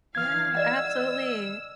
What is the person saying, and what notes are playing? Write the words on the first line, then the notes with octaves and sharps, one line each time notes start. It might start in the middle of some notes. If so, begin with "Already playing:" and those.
Yeah. Absolutely.
E3 F5 F6 G#6
D5 D#5 F#5 E6